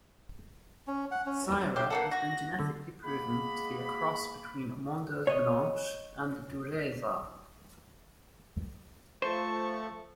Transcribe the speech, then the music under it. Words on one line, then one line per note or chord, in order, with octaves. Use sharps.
Syrah has been genetically proven to be a cross between Mondeuse Blanche and Dureza.
C#4
F#5
C#4
C4 E4 G4
E3 A#3 A4 F#5
F#4 A#6
D3
G#3 A#3 B3 B5
C#5 D#5
F3 A3 C5 A5 C#6